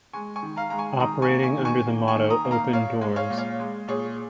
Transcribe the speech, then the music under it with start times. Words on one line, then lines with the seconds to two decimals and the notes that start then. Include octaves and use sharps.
Operating under the motto Open Doors.
0.13 G#3 G#5 C#6
0.36 G#5 C#6
0.43 D#3
0.57 F5 A#5
0.70 G#3 A#5
0.78 G#5 C#6
1.00 D#3 A#5 D#6
1.22 G#5 C#6
1.28 A#3
1.43 G#5 C#6
1.58 D#3
1.65 G#5 C#6
1.86 A#3
2.08 G#5 C#6
2.16 D#3
2.30 A#5 D#6
2.45 A#3
2.51 F5 A#5
2.73 A#2 C#5 F5
3.01 G#3
3.16 C#5 F5
3.30 A#2
3.38 C#5 F5
3.60 G#3
3.88 A#2 G#4 C#5